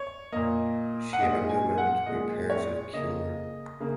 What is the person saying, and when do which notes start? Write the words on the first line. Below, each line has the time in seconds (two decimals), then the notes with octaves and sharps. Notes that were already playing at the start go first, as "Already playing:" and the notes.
She underwent repairs at Kure.
Already playing: C#5
0.32 A#2 A#3 D#5
1.13 F#5
1.19 A#2 G#3 D#5
1.49 G#5
1.78 F#5
2.06 A#2 G#3 D#5
2.50 C#5
2.93 C#3 A#3 D#5
3.80 C#3 A#3